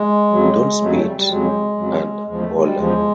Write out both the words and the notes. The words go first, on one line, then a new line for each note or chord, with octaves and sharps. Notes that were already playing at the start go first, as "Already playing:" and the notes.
Don't Spit and Holler!
Already playing: G#3
F2 C#3 F#3
F2 C#3 F#3 A3
A3
G3
G3
F2 C#3 F#3 G#3
F2 C#3 F#3
E2 C#3 F3 G#3
A3
G#3
G3
E2 C#3 F3 G#3